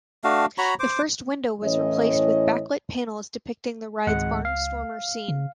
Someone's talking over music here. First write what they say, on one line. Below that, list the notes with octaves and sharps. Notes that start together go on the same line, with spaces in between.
The first window was replaced with backlit panels depicting the ride's barnstormer scene.
A3 D4 F#4 F5
F#4 C#5 A#5 B5
C5 D6
A2 E3 C#4 C#5 D#5
G#1 C#2 G#3 F#5
F5
C#3